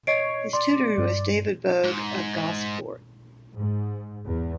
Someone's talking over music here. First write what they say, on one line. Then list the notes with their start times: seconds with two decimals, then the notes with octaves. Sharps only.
His tutor was David Bogue of Gosport.
0.07 C#5 D#5 C7 D7
0.53 D5 C6
0.98 G2
1.84 G#2
3.56 G#2
4.26 E2